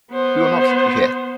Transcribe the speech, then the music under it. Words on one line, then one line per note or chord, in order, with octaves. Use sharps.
We will not keep you here.
B3 C5